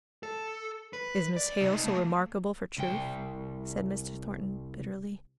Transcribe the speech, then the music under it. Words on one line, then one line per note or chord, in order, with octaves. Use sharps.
'Is Miss Hale so remarkable for truth?' said Mr. Thornton, bitterly.
A4
B4
D5
C3 D#4
A3 A#3
C2 G5